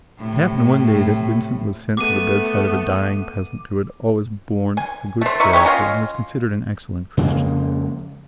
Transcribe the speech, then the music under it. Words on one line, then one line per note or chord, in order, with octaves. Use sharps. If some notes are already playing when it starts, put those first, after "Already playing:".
It happened one day that Vincent was sent to the bedside of a dying peasant who had always borne a good character and was considered an excellent Christian.
A2 C3
A3 B3 D6 D#7
G#5
A3 C5
D#4 E4 E5 C#6
B2 C#5 G5 B5
C#4 F4 D#5 F5
F2 C#3 G#3 A#3